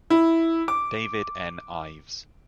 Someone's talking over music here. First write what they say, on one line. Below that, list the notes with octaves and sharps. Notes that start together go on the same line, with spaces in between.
David N. Ives.
E4
D6